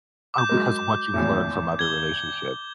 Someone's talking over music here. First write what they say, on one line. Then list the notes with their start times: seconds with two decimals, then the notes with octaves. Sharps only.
Oh, because what you've learned from other relationships.
0.34 D6 G6
0.49 F#3 G#3 A#4
1.14 G#1 E2 A2
1.79 G#6 G7